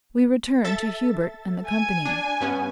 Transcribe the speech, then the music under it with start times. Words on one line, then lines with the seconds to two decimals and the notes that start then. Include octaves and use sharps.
We return to Hubert and the company.
0.64 A4 E5 A6
1.68 G#5
2.05 D4
2.40 G2 B3 C#4